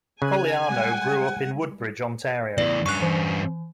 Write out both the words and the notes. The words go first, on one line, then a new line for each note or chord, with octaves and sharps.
Cogliano grew up in Woodbridge, Ontario.
C#3 G#5 F#6
G3 G#3 F#5
E2 A2 D5
G2 C#4 C#6 F#6
E3